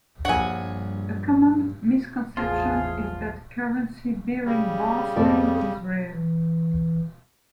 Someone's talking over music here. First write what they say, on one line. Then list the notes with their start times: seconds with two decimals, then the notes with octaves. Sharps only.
A common misconception is that currency bearing Barr's name is rare.
0.25 A#1 G2 C#5 F#5 G#5
2.37 A1 E2 F3 F4 G#4
4.45 C#3 G3
5.16 F2 A4 D5
6.12 E3